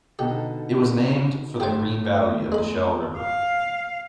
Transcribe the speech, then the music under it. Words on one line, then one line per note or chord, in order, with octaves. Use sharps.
It was named for the green valley of the Shell River.
B2 D3 D#4 G4 A4
A3 G4 C5
E2 G#3 B5
F5